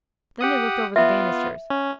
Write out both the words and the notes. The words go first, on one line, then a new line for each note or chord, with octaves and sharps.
Then they looked over the banisters.
G4 F#5 D#6
B3 F4 E5
C#4